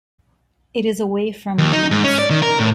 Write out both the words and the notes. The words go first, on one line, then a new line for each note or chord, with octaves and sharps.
It is away from Leeds.
D#2
D#4
G#2
C#4
D5
D#3
A#4
A2